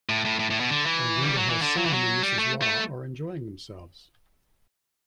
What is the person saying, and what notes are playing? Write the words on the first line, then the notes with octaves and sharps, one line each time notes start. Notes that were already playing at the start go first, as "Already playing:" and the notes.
I wonder how Sam and Mrs. Law are enjoying themselves.
A2
A2
A2
A2
B2
D3
E3
G3
F#3
E3
D3
F#3
E3
F#3
G3
A3
A3